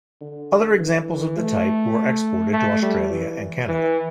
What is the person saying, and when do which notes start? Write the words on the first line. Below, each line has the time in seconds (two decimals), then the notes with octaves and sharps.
Other examples of the type were exported to Australia and Canada.
0.21 D3
0.79 E3
1.38 A3
2.53 A3
2.82 G3
3.11 E3
3.68 E3